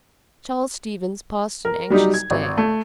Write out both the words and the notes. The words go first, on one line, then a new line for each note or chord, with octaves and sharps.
Charles Stevens passed an anxious day.
A#4
F#3 G3 D#4 G4
G#6
G#1
A3